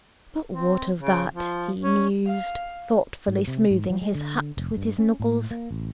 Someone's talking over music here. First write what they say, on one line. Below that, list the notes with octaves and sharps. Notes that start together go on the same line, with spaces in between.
'But what of that?' he mused, thoughtfully smoothing his hat with his knuckles.
C4
C#3
F3
C#4
F5
G#2
C3
G#2
F3
G#3
D3
F1
G2
C#4
A2
A#3
A1